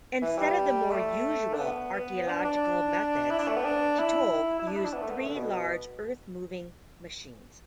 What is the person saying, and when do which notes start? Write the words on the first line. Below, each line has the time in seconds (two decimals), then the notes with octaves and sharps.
Instead of the more usual archaeological methods, Kitov used three large earthmoving machines.
0.22 E3
0.39 G3
0.91 A3
1.53 D4
1.59 B3
1.94 B3
2.27 D4
2.45 D4
3.30 E4
3.39 D4
3.48 A3
3.57 B3
3.64 D4
3.99 E4
4.59 E4
4.67 D4
4.77 E4
4.85 D4
4.93 B3
5.02 A3
5.10 B3
5.19 A3
5.27 D3
5.36 B2